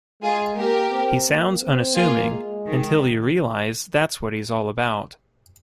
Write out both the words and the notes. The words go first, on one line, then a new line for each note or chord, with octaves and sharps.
He sounds unassuming until you realize that's what he's all about.
G#3 F4 G#4
A#3 G4 A#4
C4
A#3
C4
A#3 F4 G#4
G#3
D#3